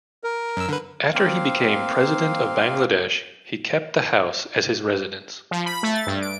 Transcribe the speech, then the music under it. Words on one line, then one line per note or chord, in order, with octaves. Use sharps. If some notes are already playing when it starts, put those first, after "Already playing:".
After he became President of Bangladesh, he kept the house as his residence.
A#4
F#2 E6
D3 B4
A#3 C4 F5
F3
B5
A3
A6
G2
D7